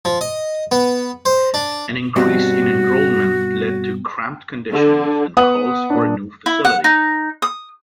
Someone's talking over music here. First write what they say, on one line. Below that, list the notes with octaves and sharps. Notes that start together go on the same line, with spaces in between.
An increase in enrollment led to cramped conditions and calls for a new facility.
F3
D#5
B3
C5
D4
G2 B2 C4 F#4
D3
B3 B4 F#5 D#6 F#7
A#2 D4
E4
F#5
D#4
D#6